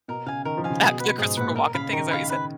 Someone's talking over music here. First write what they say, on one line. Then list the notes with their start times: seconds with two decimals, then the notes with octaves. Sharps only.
Uh, the Christopher Walken thing, is that what you said?
0.08 B2 A#4
0.26 C#3 F5 G#5
0.45 D#3 A#4
0.57 F3
0.64 F5 G#5
0.70 C#3
0.81 B2 G#4
1.00 B4 F#5
1.18 G#2 G#4
1.37 A#2 B4
1.41 F#5
1.56 A#4
1.74 C#3 F5 B5
1.93 D#3 A#4
2.11 F5 B5
2.30 B4